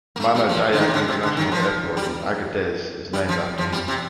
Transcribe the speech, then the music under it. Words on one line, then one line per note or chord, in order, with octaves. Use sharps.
Mano Dayak International Airport in Agadez is named after him.
A#3
A3
G3
F3
D3
D#3
C3
D3
C3
D3
D#3
F3
G3
G3
F3
F3
G3
C3